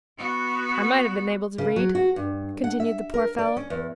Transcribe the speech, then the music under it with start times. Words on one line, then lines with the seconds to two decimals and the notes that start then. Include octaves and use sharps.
"I might have been able to read," continued the poor fellow.
0.18 B3 F#4
1.58 C#3
1.76 F#3
1.95 F#4
2.16 G2
2.64 F#5
2.80 E5
3.14 A#4
3.38 D5
3.57 C#4
3.70 E2